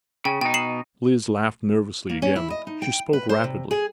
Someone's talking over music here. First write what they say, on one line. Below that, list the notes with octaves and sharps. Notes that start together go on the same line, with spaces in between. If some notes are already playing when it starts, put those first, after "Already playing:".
Lise laughed nervously again; she spoke rapidly.
C#3 G5
B2 D#4 G5
C7 E7 F#7
A#3
C#4
E4
D#5
D#4
G5
B4
C5
C3
G#4